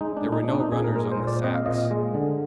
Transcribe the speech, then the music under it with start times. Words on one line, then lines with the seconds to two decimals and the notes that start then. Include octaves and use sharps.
There were no runners on the sacks.
0.01 G#3 D#4
0.17 D4
0.25 A#2
0.32 D#4
0.48 C4 D4
0.60 D#4
0.72 A#2 G#4
0.84 A#4
0.96 G#3 A#4
1.12 C5
1.20 A#2
1.27 D5
1.44 C4 D#5
1.55 F5
1.66 A#2 D#5
1.91 G#3
2.14 D3